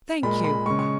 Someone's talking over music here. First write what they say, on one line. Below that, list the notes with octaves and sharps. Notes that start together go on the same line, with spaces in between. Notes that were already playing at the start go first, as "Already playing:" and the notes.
'Thank you.
A#2 G#3 B5
B5
C#3 G#3 C#6
C#6